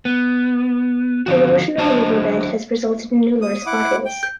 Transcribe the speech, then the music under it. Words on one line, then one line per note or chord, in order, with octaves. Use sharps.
Erosion on the riverbed has resulted in numerous potholes.
B3
D3 F3 F#4
F#3 D4 C5 D#5 A5
D#6
E4 F#5 D6
G5
G6